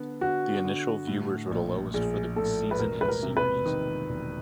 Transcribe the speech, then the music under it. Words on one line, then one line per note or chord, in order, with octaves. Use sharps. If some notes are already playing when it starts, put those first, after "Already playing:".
The initial viewers were the lowest for the season and series.
Already playing: D3 B3
D3 F#4
D3
A2
A#1
A#1 G#4
A2 A4
B4
E1 A#4
B4
A#4
C3
B4
D#3
E1